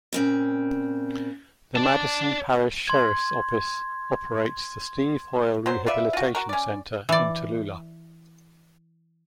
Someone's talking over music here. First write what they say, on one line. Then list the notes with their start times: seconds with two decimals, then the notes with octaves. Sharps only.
The Madison Parish Sheriff's office operates the Steve Hoyle Rehabilitation Center in Tallulah.
0.13 A#2 C#3 C4
1.76 D5 A5
2.87 C6 G#6
5.66 F#3 C5
5.86 F4 B4 D5 E5
6.13 F4 F#4
6.35 F#4 A#4
6.49 C#4 D5
7.09 E3 D5